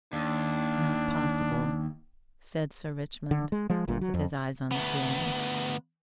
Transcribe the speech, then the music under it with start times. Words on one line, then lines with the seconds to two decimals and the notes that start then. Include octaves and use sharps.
"Not possible," said Sir Richmond, with his eyes on the ceiling.
0.13 D#2 D4
3.31 D3
3.52 G#3
3.70 F3 G#3
3.88 G1 G2 A#2
4.01 F#3
4.14 F2
4.72 D2 B3